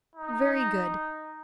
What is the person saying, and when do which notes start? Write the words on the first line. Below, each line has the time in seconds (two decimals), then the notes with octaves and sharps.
Very good.
0.15 D#4